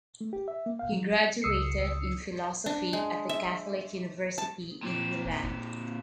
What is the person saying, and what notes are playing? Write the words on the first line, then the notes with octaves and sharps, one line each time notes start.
He graduated in philosophy at The Catholic University in Milan.
A3
G4
E5
A#3
F5
F#3
C#2 D#6 E6 C7 C#7
D4
G#3
E5
A5
A#2 C4